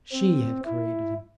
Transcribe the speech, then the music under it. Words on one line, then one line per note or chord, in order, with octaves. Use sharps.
She had created him.
C4
E4